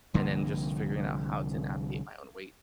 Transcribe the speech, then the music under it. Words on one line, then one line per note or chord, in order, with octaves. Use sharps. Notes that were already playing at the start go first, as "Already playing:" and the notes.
And then just figuring out how to navigate my own weight
C2 D3 F3 A#3